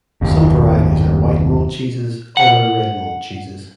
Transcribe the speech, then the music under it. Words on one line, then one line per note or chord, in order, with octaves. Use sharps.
Some varieties are white mold cheeses, others red mold cheeses.
F#1 D#2
F#5